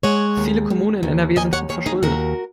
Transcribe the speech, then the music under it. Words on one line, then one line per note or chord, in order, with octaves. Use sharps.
Viele Kommunen in NRW sind hochverschuldet.
G#3 C#5 F#5
D#2
D#2
D#2
D#2 D#5 G#5
C#5 F#5
D#2 G#4 C#5
D#4 G#4
D#2 F#4 A#4